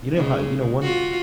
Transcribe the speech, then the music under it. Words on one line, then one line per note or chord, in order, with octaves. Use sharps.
you know how you know, one
C#3 G#3
F4 F#4